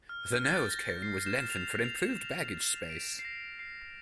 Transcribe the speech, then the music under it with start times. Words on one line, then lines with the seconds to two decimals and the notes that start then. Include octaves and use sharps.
The nose cone was lengthened for improved baggage space.
0.09 F6
0.33 F6
0.44 A6
0.56 G6
0.71 A#6
0.79 A6
1.02 C7
1.26 E7
1.50 F7
1.67 F7
1.84 F7
2.02 E7
2.90 D7
3.19 C7
3.25 A#6
3.59 C7